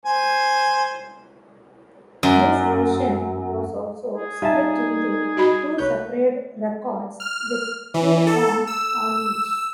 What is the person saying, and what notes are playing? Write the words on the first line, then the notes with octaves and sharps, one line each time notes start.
This version was also split into two separate records, with two songs on each.
C5 G#5
F#2
G#4
G3 D#4 F4 E5 G#5 A5
F#4 D#5 B5
C2 B4 C#5 G6
F6
E3
A4
E6